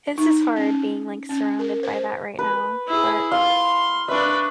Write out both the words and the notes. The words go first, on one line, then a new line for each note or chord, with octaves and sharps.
it's just hard being, like, surrounded by that right now, but
D#4
C#4
C#4
A#4
C5
B4
E4 G#4
F5 C6
D4 B4 E5 C#6